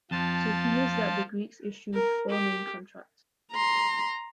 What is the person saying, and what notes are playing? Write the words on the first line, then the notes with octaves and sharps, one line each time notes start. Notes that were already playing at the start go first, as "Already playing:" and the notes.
It appears that the Greeks issued four main contracts.
F2 F3 F4 A5
A#4
G4
A#5 C6